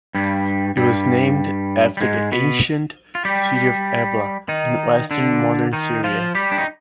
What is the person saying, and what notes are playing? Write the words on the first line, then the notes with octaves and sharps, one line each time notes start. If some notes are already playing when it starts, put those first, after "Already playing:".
It was named after the ancient city of Ebla, in western modern Syria.
G2 G3
G2 G3
G3
G#2 G#3
B2 B3
F4
G3 G4
D#3 D#4
D3 D4
D#3 D#4
F3 F4
G3 G4
D4
D#4